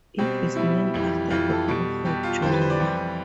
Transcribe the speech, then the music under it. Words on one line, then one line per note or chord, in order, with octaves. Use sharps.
It is named after the prophet Jonah.
B2 G3 C4
B2 G3 E4
F2 E3 G3
F2 E3 G3 F4
A4
B2 G3
B2 G3 G4
F4
F2 E3 G3 C5
B4
C5
D5
F2 E3 G3